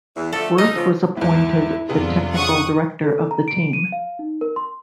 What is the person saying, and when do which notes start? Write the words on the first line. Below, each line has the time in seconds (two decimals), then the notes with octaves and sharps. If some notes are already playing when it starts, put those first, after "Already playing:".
Wirth was appointed the technical director of the team.
0.17 E2
0.33 D3 F3 A3 A4
0.58 C#3 A#3 D#4 D#5
0.76 C#3 F3
1.17 E2 G#2 E4
1.89 F2 C3 B3 D4 F4 G#4
2.34 C#3 F#5 C#6 D#6
3.04 A4
3.31 A#5
3.48 D7
3.73 D#7
3.92 F5
4.19 D#4
4.41 A#4
4.56 C6